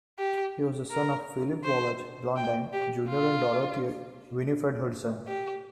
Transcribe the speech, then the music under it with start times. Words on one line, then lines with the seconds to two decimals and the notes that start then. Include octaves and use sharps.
He was the son of Philip Wallach Blondheim, Junior and Dorothy Winifred Hudson.
0.19 G4
0.91 A#4
1.64 C5
2.37 G5
2.73 G4
3.09 F4
5.28 G4